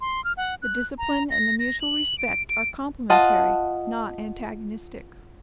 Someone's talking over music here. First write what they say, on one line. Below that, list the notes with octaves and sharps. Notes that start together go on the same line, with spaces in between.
The discipline and the mutual respect are complementary, not antagonistic.
C6
F6
F#5
F#6
A#5
A#6
A#6
F#7
D7
D7
F4 D#5 F#5 A5